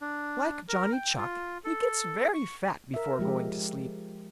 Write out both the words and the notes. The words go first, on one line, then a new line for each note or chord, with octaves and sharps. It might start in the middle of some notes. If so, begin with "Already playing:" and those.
Like Johnny Chuck he gets very fat before going to sleep.
D4
A#4
G5
F4
A4
C#6
A#4 E5
F3 G#3 G4